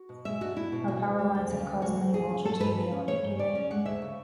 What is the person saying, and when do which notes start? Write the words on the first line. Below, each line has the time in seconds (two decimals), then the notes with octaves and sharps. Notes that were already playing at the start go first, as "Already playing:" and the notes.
Our power lines have caused many vultures to be electrocuted.
Already playing: F#4
0.09 B2
0.25 G#3 E5
0.41 D4 F#4
0.56 B3 E4
0.72 B2
0.88 C#3 F#4
1.03 D2
1.19 G#3
1.35 D2
1.51 C#3
1.66 D2
1.82 G#3 F#4
1.98 D2
2.13 E3 G#4
2.29 C#4
2.45 A3 A4
2.60 G#2 B4
2.76 E3
2.92 C#4
3.07 A3 C#5
3.24 G#2
3.39 C#3 D5
3.55 C#4
3.71 G#3 F#5
3.85 D2 E5
4.02 C#3